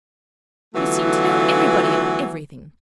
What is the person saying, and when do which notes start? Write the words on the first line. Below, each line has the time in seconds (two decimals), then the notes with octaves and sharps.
You seem to know everybody, and everything.
0.74 D3 E3 F#3 A3 B3 F4